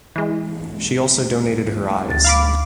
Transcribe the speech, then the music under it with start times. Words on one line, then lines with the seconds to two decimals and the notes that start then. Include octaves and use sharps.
She also donated her eyes.
0.16 E3 G#3
2.10 D2 A6
2.25 F5 B5 D6